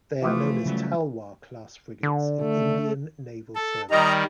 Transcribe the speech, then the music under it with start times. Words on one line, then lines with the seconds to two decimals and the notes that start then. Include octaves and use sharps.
They are known as "Talwar"-class frigates in Indian naval service.
0.22 E3 F3 A3
0.65 C#3 F#3 G3
2.03 D3
2.42 A3
3.55 A4
3.91 D#3 G3 D#5 A#5